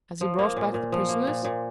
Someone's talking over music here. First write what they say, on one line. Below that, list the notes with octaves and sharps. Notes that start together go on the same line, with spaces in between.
"Has he brought back the prisoners?"
F3
A#3
A#2
A#2
F3
A#3
A#2
A#2